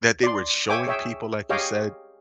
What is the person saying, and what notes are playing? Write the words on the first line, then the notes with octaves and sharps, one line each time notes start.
that they were showing people, like you said,
D5 C6
C#5 E5 G5 G#5 D6
G#4 C#5 E5 G5
G4 G#4 C#5 D#5 F5 G5